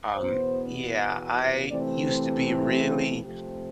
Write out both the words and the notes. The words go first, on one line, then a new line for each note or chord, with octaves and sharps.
Um yeah, I used to be really
E2 B2 B3 C5
C3 E3 A3 C4 D5
C5
A4
G4
C3 F3 A3 C4 G4